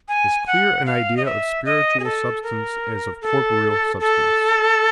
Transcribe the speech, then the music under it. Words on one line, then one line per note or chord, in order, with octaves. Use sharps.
As clear an Idea of spiritual substance as of corporeal substance.
G#5
F#5
F5
D#5
E5
D#5
G#4
A4
A#4
A4
A4